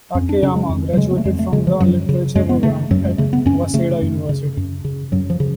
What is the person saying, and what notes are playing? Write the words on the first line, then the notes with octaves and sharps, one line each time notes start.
Takeyama graduated from the Literature program at Waseda University.
F2 C#4
D4
C#3 C#4
G#3
F2
F#3
C#3 G#3
B3
A3
F2 G#3
A3
C#3 G#3
F3
F#2 F#3
C#3
F#2 G#3
B3
C#3 A3
F#2 F#3
G#3
C#3 A3
B3
F#2 C#4
C#3 A3
F#2
C#3
F#2
C#3
F#2 F#3
F3
C#3